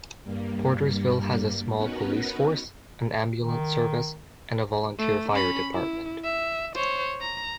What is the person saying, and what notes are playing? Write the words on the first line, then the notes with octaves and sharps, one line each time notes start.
Portersville has a small police force, an ambulance service, and a volunteer fire department.
G2 G3 A#3
B3 C#4 D#4 F#4 A#4 B4
D#3
A3
C#4 B5
E4
E5
C5 C#5
A#5